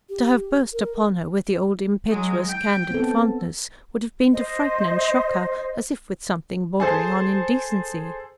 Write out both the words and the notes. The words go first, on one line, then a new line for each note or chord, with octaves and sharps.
To have burst upon her with the old impetuous, candid fondness would have been to frighten and shock her as if with something bordering on indecency.
G4
A#4
F#3 G#3
G5
B3 C4 A4
C5 D#5
G#4 A4 C5